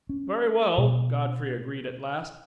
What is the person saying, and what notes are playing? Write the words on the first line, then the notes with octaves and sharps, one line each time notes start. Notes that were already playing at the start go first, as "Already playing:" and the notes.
"Very well," Godfrey agreed, at last.
C#4
B2